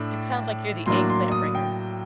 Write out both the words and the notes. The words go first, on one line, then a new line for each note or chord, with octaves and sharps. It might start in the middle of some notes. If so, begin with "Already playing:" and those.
It sounds like you're the eggplant bringer.
Already playing: A2 A3 D4
A2 F#3 A#3 D4 C6
C6
D#6
G5